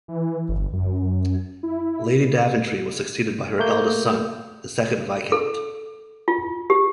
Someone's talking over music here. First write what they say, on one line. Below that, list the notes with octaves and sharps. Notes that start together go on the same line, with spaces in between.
Lady Daventry was succeeded by her eldest son, the second Viscount.
E3
G1
F#2
E4
A3 A#3 G6
A4
F4
G4